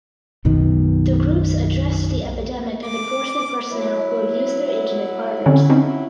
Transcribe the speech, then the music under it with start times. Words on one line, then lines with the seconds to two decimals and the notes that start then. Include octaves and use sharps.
The groups addressed the epidemic of enforcement personnel who abuse their intimate partners.
0.45 B1 F#2 B2 D#3
2.86 D6
3.70 F#3 E4
5.46 D3 C4 C#4
5.70 C4 C#4 D#4